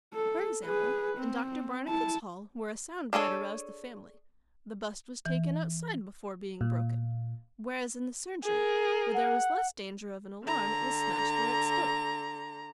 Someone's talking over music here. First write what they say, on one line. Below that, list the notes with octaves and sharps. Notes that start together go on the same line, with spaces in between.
For example, in Dr. Barnicot's hall, where a sound might arouse the family, the bust was taken outside before being broken, whereas in the surgery, where there was less danger of an alarm, it was smashed where it stood.
A4
G#4 B4
C4
E4 A5
D4 G#4 A4 C#5
E3
A#2
G#4 A#4
F#5
D3 A#5